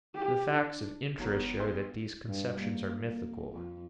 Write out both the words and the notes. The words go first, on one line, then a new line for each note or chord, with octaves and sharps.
The facts of interest show that these conceptions are mythical.
G4
D4
F#1 D#3 F#3 B3 A#4
B1 E4 C6
G2
A#3
A#3
F2